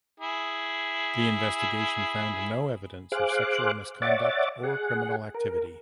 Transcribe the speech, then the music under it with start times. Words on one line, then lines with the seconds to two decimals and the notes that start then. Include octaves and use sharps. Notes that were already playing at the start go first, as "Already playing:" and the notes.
The investigation found no evidence of sexual misconduct or criminal activity.
0.20 E4 G#4
3.12 G#4 C5 F5 D6 F#6
4.02 C#5 D5 E5 F#5 D6 A6
4.63 G#4 F#5
5.34 A#4